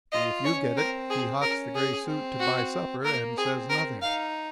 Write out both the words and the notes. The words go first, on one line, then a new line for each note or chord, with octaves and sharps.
If you get it he hocks the gray suit to buy supper and says nothing.
F4 D#5
C#4 C#5
C4 A#4
G#4
C#4 A#4
G#4
C4
F#4
A#3 A#4
C4 G#4
A#4
D#4 F5